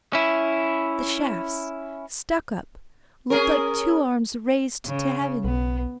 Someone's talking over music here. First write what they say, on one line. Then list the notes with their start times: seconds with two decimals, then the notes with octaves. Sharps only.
The shafts, stuck up, looked like two arms raised to heaven.
0.13 C#4 E4
3.30 C#4 G#4 A#4
4.86 C#3
5.44 B1 B3